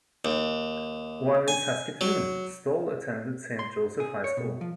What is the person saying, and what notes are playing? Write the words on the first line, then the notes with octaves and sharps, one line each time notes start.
While in Saskatoon, Stoll attended Saint Joseph High School.
D#2
G#5
F#3
C6
G#4
C#5
B2
F3